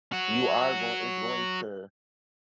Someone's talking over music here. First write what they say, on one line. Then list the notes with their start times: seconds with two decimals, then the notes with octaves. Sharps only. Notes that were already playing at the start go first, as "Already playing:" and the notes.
you are goin it's going to,
0.12 F#3 F#4